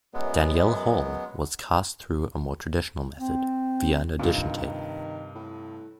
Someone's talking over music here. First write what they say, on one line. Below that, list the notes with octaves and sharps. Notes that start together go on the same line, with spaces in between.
Dannielle Hall was cast through a more traditional method, via an audition tape.
F#2 F#3 G#3 B3
C4
G2 C3 D#3 F4
A2